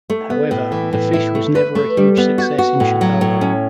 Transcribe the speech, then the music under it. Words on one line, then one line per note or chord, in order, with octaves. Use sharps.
However, "The Fish" was never a huge success in Chicago.
A3
B3
A2
E3
A2
E4
A3
B4
A3
G3
B3
F#4
F#4
A2
F#3
A2
C#4